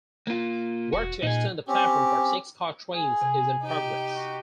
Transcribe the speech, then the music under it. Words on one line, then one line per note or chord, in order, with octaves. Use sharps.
Work to extend the platform for six-car trains is in progress.
A#3 F4
E1 F#4
A#2 D#4 G#4
C4 C#4 G4
G#4
C3 G#6
D#4 G4
F#4